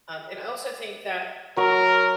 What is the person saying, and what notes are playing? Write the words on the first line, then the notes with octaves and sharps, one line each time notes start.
um, and I also think that,
F#3 A#4 C#6